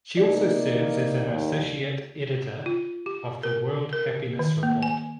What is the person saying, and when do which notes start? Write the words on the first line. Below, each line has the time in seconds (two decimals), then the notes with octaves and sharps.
She also serves as an associate editor of the World Happiness Report.
0.17 C3 E3 A#3 D#4 D5
1.24 D#2
2.66 F4
3.06 G4
3.43 A#4
3.93 A#4
4.39 D#3
4.63 A#3
4.83 G#5